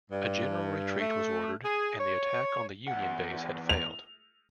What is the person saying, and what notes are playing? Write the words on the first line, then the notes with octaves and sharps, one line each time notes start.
A general retreat was ordered, and the attack on the Union base had failed.
G2
A3
G#4
C#5
E2 F#5
F7